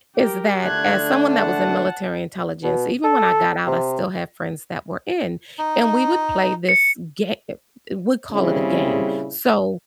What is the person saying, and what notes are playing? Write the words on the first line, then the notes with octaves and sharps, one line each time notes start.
is that as someone that was in military intelligence, even when I got out, I still have friends that were in, and we would play this ga e eh, we call it a game, so
G4 A#4
D3 A3 D4 F#6 G#6
F#5 A5
B2
A4
C3
D#4
C#7
A#2 C#3 G3 C4 E4 G#4